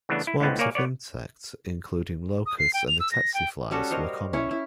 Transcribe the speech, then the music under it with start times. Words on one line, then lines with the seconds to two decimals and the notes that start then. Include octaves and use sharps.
Swarms of insects, including locusts and the-tse flies, were common.
0.09 C#3 E3 A3 B3 D4
0.27 E4
0.40 C#2 A2 D3 B3 C4
0.59 A#3 A#4 C#5 D5 G#5
0.75 B3 C#5 D5
2.46 D#6
2.59 C7
2.74 G5
2.88 F7
3.00 E6
3.12 A#6
3.34 G5
3.71 G3 C#4 F#4 A4
3.91 A#4 C5 C#5 D#5
4.33 C#4 E4 C#5
4.51 E4